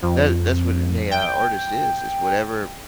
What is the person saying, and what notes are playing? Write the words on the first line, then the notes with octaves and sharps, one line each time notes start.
that that's what an AI artist is. It's whatever
F2
G5